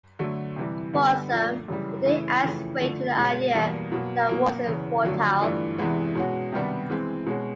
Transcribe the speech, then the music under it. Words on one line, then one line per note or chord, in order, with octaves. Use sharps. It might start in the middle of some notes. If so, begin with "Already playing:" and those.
For some, the day adds weight to the idea that war is futile.
D3 F#3 A3
C3 E3 G3
D3 G3 B3
A#2 F3 A3 D4
F#2 C#3 E3 G3
C#3 E3 A3 C#4 E4
F2 C#3 E3 A3
D3 F3 A3
B2 G#3 C#4 F#4
E2 B2 G3 A#3
B2 F#3 A#3
B2 F#3 A#3
E2 C#3 E3
F2 D3 F#3 A3
G2 E3 A3 D4 F4
E2 C3 E3 G#3 B3
B2 G#3 C#4 F#4
C3 D#3 G3 B3 D4
E3 G#3 C4
B2 G#3 C#4 F#4